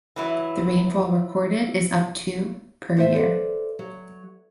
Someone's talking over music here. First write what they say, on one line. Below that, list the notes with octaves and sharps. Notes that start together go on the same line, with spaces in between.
The rainfall recorded is up to per year.
E3 F#3 E4
A2 C4 C5 D#5 E5
A4 B4 C5 D5
F#3